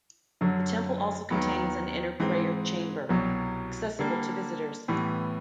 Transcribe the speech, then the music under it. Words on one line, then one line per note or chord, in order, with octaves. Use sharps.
The temple also contains an inner prayer chamber, accessible to visitors.
F#2 D3 F#3
D#2 D#3 F#3 B3
G#2 E3 G#3 C4
C2 B2 F#3
D3 G3 A#3
A2 E3 G3 B3